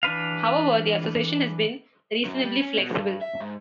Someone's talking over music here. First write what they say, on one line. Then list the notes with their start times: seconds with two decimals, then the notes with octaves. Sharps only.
However, the association has been reasonably flexible.
0.03 E3 D4 B4 F5
2.25 F#2
2.44 G3
2.60 C#4
2.78 B2
2.93 G2
3.21 E5
3.41 G#2